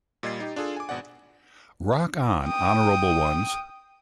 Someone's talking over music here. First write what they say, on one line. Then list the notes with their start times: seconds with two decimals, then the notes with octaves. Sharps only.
Rock On Honorable Ones!!
0.23 A#2 G3 D#5 G#6 A6 C7
0.40 D#4 G4
0.56 D4 F4 G#4 A4
0.77 G#5 D6
0.89 G#1 B2 D5 F#5
2.46 G5 D#6